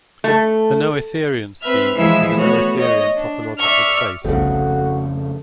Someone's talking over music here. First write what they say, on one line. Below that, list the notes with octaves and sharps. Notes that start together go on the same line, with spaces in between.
A noetherian scheme is a noetherian topological space.
A3
C4 B4 E5 F6
E3 F3 G#3 E4 G#4 E5
A3 B3 F#4 C#5
C#5 D#5
D4
D5 E5 C#6 F6
G1 C2 F2 C#3 A3 F#4